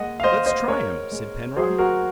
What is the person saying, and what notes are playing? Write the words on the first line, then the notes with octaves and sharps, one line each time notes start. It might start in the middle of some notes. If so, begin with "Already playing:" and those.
"Let's try him," said Penrod.
Already playing: G#3 A#3 D#5 F#5
F5
G#3 C5 D#5
C5 D#5
G#3 A#4 C#5
G#3
F#3 G#4 C5
F#4 A#4